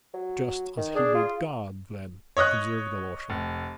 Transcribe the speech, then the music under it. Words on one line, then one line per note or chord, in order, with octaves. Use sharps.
"Just as he did God, then?" observed Alyosha.
F#3
D#3
D4 G#4
F4
C#5 D#5 D#6 F#6
F1